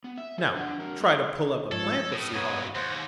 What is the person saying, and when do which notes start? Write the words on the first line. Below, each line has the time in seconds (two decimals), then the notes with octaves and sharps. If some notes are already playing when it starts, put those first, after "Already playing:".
Now try to pull up a plant of Sea Holly.
0.04 B3
0.18 E5
0.38 G#4 A4
0.55 D4 F#5
0.78 F2 A#4
1.00 G#3 A4
1.72 G#2 F3 A4 C#5
2.12 A2 D#6
2.34 F#2 A#2 B3 C#5
2.75 D#2 C5 F#5
2.90 G#5 A#6